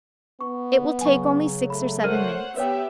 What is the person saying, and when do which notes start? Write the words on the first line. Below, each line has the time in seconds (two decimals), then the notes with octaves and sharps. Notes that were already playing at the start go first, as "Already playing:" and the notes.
It will take only six or seven minutes.
0.41 B3 C#6
1.01 C#3 F#3 G#5 C#6
1.70 A3 B5
2.04 A#4 C5 C#5 F#5 F6 D#7
2.57 B3 G4 B4 C#5 E5 G5